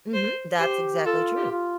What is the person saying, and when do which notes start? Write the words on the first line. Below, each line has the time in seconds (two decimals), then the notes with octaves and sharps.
Mhm, that's exactly true.
0.13 C5
0.59 G4 C5
1.05 F4 A4
1.36 G4
1.52 F4